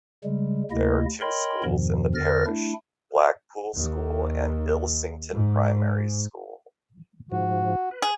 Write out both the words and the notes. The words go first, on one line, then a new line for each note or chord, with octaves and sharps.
There are two schools in the parish: Blackpool School and Ilsington Primary School.
C#3 G3 G#3
D2 C3 A#3 E4 D#5
A#4 C#5 D#5 G5 B5 C6
E2 G2 B2 D#3 F3
E2 D3 A#4 F6 A6 A#6
A3 D4 E4
D#2
G#2
G#2 F3 F#4
B4
G#4